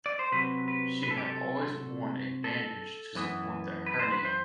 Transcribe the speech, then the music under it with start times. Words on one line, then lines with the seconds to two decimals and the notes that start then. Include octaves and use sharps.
She had always worn a bandage to support the hernia.
0.06 D5
0.19 C5
0.32 C3 F#3 C4 B4
0.68 B4
1.03 B4
1.11 A4
1.18 G4
1.25 A4
2.44 A4
3.15 F#2 E3 B3
3.86 B4
3.99 C5
4.12 B4
4.25 C5